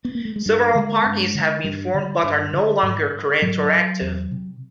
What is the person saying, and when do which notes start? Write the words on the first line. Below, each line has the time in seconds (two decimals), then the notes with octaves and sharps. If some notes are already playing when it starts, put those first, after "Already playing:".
Several parties have been formed but are no longer current or active.
0.05 B3
0.15 A#3
0.25 A3
0.36 G#3
0.46 G2 G3
0.75 D3 G#3
1.05 G2
1.35 D3
1.64 G2 G3
1.94 D3
2.23 G2
2.53 D3
2.83 G#2
3.42 G#2 F#3
4.01 E2
4.31 C3